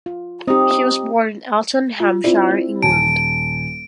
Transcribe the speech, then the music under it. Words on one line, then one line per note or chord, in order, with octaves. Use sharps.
She was born in Alton, Hampshire, England.
F4
C4 D#4 G4
F4
C4 E4 F4 D5
D#1 G#5 A5 D7